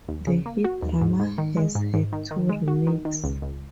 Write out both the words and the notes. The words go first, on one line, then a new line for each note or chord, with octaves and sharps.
The hit drama has had two remakes.
D#2
C#3
A#3
F#4
D#2
G#2
G#2
D#3
G#3
G#2
G#2
D#3
D#3
G#3
F#4
D#3
D#3
C#2
C#2